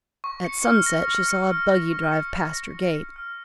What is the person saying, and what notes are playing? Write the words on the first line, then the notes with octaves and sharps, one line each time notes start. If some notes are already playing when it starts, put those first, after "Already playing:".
At sunset she saw a buggy drive past her gate.
C#6
C#7
F6
A#6
C#6
C#7
F6
A#6
C#6
C#7
F6
A#6
C#6
C#7
F6